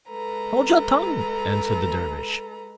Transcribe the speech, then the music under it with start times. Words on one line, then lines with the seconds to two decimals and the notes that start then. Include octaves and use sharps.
"Hold your tongue," answered the Dervish.
0.10 G#3 A4 B4 A#5